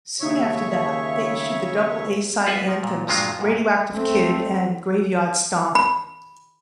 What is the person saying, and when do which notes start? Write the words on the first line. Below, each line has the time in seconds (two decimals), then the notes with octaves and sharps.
Soon after that, they issued the double A-side anthems "Radioactive Kid" and "Graveyard Stomp".
0.20 D#2 C#3 C#5 E5 C#6
2.46 F4 F#4 B4 E5
2.68 F3
2.83 A#2
3.07 G2 A#2 F3 F#3 G#3 F4
3.39 F#2 A#2
3.93 A3 C4
5.75 B5